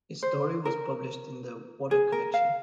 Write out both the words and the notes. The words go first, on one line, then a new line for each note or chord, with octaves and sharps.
His story was published in the "Water" collection.
C5
A#4
G#4
A#4
F5